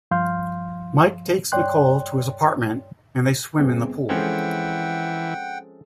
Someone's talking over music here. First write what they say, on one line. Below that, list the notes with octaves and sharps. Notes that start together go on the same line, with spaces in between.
Mike takes Nicole to his apartment, and they swim in the pool.
G2 F3 F5 C6 F6 G6
G2 C#5 D5 G5 C6 F#6
G1 C4 G#4
E3 F3 G#3 C4 C#4 A4 F#5 G5